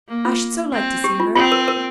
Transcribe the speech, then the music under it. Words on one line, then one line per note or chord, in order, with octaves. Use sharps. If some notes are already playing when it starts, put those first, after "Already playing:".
I should so like to see her.
A#3
F4
C4
G4
F4
C4 F4
A#4
A#4